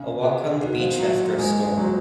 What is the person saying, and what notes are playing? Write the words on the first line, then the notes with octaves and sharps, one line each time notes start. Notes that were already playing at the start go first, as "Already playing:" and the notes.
A walk on the beach after a storm.
Already playing: C#3
G#4 D#5 F#5
D#3 D#4 F#4 A#4 D#5 F#5
F3
F#3 F#4 C5 D#5 F#5
A#3
G#3 F4 G#4 D#5 G#5
F#3 A#3 F4 C5 D#5